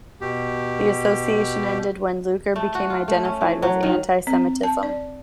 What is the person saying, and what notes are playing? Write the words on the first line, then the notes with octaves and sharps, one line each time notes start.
The association ended when Lueger became identified with anti-semitism.
B2 G4
A3
F#4
F4
A3
C#4
E3
F#3
D#3
C4
A5
D5